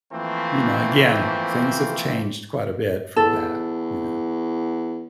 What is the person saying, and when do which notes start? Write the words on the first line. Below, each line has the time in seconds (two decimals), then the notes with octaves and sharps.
you know, again, things have changed quite a bit from that, you know?
0.12 E3 F3 A3 A#3 C4
3.16 E2 A4